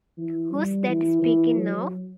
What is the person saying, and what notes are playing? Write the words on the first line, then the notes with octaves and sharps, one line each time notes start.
Who's that speaking now?
E3
G3
E3
E3
F#3